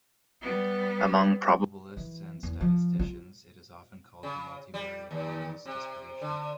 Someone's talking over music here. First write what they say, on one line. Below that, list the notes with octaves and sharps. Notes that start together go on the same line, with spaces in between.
Among probabilists and statisticians it is often called the multivariate Ewens distribution.
G3 B3
E3
E2
F3
F4
C#3
G3
D#2
C3
D3